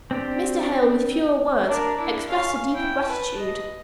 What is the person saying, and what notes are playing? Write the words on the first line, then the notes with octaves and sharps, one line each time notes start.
Mr. Hale with fewer words expressed a deeper gratitude.
C4 D4 G4
D4 A#4
D4 E4
C#4 F5
E4 G5
B4 A5
D#5